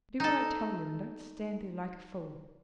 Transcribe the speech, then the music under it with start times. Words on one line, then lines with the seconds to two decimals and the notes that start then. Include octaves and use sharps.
"Do what I tell you, and don't stand there like a fool."
0.20 D#4 A4